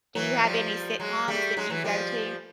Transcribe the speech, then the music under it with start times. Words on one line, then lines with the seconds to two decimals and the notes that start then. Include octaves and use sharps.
Do you have any sitcoms that you go to?
0.15 E3 F#3
0.43 F3 G3
1.00 F#3 G#3
1.28 G3 A3
1.57 F#3 G#3
1.70 E3 F#3
1.84 F3 G3